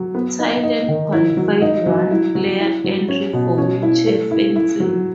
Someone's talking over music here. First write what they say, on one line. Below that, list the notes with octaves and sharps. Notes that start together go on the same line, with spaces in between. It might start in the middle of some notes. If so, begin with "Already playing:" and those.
Thailand qualified one player entry for wheelchair fencing.
Already playing: F#3
B3
D#4
D#4
D#3
E4
F#3
D#4
F#3
E4
F#3
E4
F#3
C#4
B2
C#4
E4
A3
E4
E4
F#3